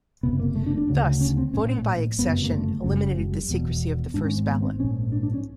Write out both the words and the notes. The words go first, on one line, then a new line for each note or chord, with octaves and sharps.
Thus, voting by accession eliminated the secrecy of the first ballot.
F#1 F2 C3 B3
A#3
A3
D4
D4
D2 C#3
C#4
C4
A#1 A2 C#4
G1 F#2 C#3 B3
A#3
A3
F#1 F#2 C#3
G#3
G3
E1 E2 B2
G#1 G#2 D4
C#4
C4
B3
C4
A#1 G#2 C#4
D4
D4
C#4